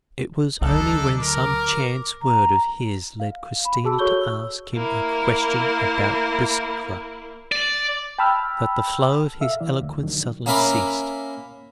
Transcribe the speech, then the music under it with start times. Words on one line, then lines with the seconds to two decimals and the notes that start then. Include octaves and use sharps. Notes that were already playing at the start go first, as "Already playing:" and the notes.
It was only when some chance word of his led Christina to ask him a question about Biskra, that the flow of his eloquence suddenly ceased.
0.61 D2 F#3 D4 D#4 A4
1.19 A#4 D6
2.22 A#5
3.20 F5
3.65 B5
3.84 F#4 G#4 A5 E6
3.98 F#4 A4 C#5 C#6 G6 G7
4.21 E6
4.73 A#3 E4
7.52 D5
8.18 G5 A5 B5 E6 F6
9.40 A4 E5 F5
9.60 E3 E4 D5
9.81 D2
10.03 D#3 F#3 D4
10.46 A#3 C#4 A#4 E5 B5 D6